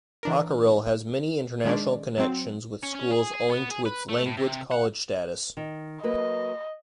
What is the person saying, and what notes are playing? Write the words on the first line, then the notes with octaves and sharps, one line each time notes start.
Hockerill has many international connections with schools owing to its Language College status.
E3 D4 A#4
D#3 G#3 C#4 D4 D5
F#3 C4
C#4
C#4
G#4
G#4
B3
G#4
B4
A3
A2
C3
F#5
D#3
F#3 A#3 B4 D#5